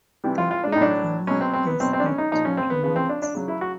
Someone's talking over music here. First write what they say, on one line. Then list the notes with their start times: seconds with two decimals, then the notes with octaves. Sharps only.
The hit drama has had two remakes.
0.24 C3 E3 G3
0.38 F4
0.51 F4
0.64 D4
0.72 A2 D#4
0.81 F#3 D4
1.27 B2 F#3 C#4
1.41 C4
1.53 C4
1.67 B3
1.80 B2 F#3 C4
1.93 C4
2.00 D4
2.06 C#4
2.18 D#4
2.32 A#2 F3 D#4
2.45 C#4
2.57 C4
2.70 B3
2.83 C#3 F3 B3
2.96 C4
3.09 D4
3.22 D4
3.35 C#3 F#3
3.48 E4
3.61 F#4